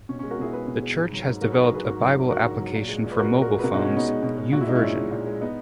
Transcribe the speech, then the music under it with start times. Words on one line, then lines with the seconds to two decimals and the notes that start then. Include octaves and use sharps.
The church has developed a Bible application for mobile phones, YouVersion.
0.09 B2 C#4
0.19 G#3 C#4
0.30 F#4 A#4
0.39 B2 E4 G#4
0.53 G#3 G#4 B4
0.67 B2
0.83 G#3
0.97 G#2
1.13 F#3
1.27 G#2
1.41 F#3 F#4 A#4
1.52 G#2 G#4 B4
1.64 F#4 A#4
1.71 F#3 G#4 B4
1.85 G#2 F#4 A#4
2.00 F#3
2.16 G#2
2.30 F#3 F#4 A#4
2.45 G#2
2.60 F#3
2.75 A#2
2.89 G#3
3.05 A#2
3.12 B4
3.19 G#3 F#4 A#4
3.33 A#2
3.42 F#4 A#4
3.48 G#3
3.59 B4
3.63 B2 F#4 A#4
3.74 G#3 D#4 F#4
3.85 C#4
3.92 B2 B3 D#4
4.07 G#3
4.23 B2
4.37 G#3
4.52 A#2 F#4
4.61 E4
4.67 G#3 D#4
4.75 C#4 E4
4.82 A#2
4.96 G#3
5.11 A#2
5.26 G#3
5.41 B3 D#4